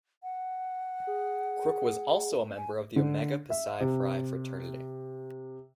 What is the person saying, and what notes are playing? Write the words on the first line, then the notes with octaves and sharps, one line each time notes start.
Crook was also a member of Omega Psi Phi fraternity.
F#5
G#4
G#5
D3
E5
C3